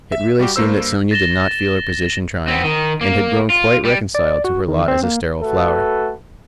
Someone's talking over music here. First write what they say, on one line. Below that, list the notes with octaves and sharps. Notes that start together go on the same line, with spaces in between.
It really seemed that Sonya did not feel her position trying, and had grown quite reconciled to her lot as a sterile flower.
E5
G3 F#4 G4
G2 A#3 C5 E6
A6 A#6 E7 G7
B3 C4
D#3
A#3
F4
G3
D5
F#4
D#3
C4
A#3
A3 F#4 A4 B4